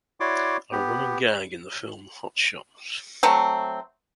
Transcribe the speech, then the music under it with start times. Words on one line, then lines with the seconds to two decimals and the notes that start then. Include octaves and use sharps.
A running gag in the film Hot Shots!
0.20 E4 F#4 C#5 D5 C6 D6
0.72 B3 G4
3.23 F#3 A3 C4